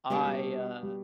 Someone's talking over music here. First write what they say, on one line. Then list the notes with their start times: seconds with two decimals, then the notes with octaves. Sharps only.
I, uh,
0.10 B2 G3 B3 D4 G4
0.25 G3
0.83 G3